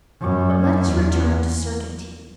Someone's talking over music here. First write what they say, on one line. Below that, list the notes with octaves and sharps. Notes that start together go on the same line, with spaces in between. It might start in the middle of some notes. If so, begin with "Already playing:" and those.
But let us return to Surcantine.
F#2
E2